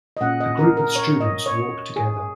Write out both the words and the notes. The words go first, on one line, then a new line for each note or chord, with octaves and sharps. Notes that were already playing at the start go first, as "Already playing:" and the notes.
A group of students walk together.
D#5
A#2 G#3 C#4 F#5
D#5
A#4
A#4
C#5
D#5
C#5
G#4